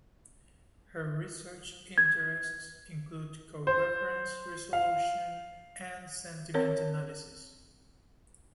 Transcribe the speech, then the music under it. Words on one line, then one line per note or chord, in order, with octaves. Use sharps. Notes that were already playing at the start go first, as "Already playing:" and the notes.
Her research interests include coreference resolution and sentiment analysis.
G#6
C5
F5
C4 A#4 C#5